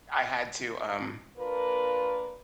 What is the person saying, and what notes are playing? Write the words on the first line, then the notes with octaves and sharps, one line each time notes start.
I had to, um
A#3 D4 F4 A#4 B4